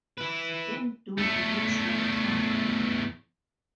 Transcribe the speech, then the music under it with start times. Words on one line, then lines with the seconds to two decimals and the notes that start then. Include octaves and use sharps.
In Dude, Where's My Country?
0.18 E4 B4
1.18 E2 A3